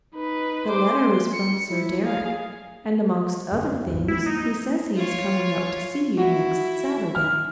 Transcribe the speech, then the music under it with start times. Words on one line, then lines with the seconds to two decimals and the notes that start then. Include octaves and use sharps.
"The letter is from Sir Deryck, and, amongst other things, he says he is coming up to see you next Saturday."
0.15 D#4 B4
0.67 C5 D6
0.97 C6
1.34 C#7
1.68 E4
2.04 G#4 F5
3.52 F#2 D3
3.88 G#1 E2
4.08 G#3 A#3 C4 E4
4.26 D#4
4.96 F4 C#5
6.17 E4 F#4
7.15 F6